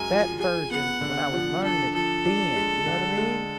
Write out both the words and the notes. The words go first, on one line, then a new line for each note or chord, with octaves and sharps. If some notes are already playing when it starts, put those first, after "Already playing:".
that version when I was learning it then, you know what I mean,
Already playing: F#2 G#3 G#5
F3
G#4 G#5
B3 F#5
D3
F3
D4 A4
F3 A4
D4
G#3
D3
G#3